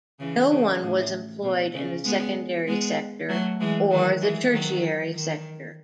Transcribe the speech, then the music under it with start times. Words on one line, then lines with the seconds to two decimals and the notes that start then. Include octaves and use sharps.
No one was employed in the secondary sector or the tertiary sector.
0.19 C#3 E3
0.50 C#3
0.81 A2
1.43 B2
1.75 C#3
2.05 G#3 B3
2.67 G#3 B3
3.29 F#3 A3
3.60 E3 G#3
3.90 D#3 F#3
4.21 E3 G#3
4.52 D#3 F#3
5.14 D#3